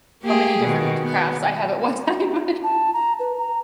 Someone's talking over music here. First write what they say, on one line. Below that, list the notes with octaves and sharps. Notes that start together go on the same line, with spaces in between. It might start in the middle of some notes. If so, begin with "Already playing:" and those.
how many different crafts I have at one time,
A#3 G4 G#4
B2 D#3
B3
A5
A#5
B4
A#5